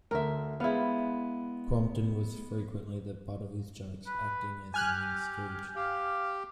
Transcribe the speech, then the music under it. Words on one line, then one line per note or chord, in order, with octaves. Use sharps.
Crompton was frequently the butt of his jokes, acting as Manning's stooge.
D2 D3 A#4 E5
G#3 B3 E4 F5
B4
G4 G#5 F6 F#6
G4 F5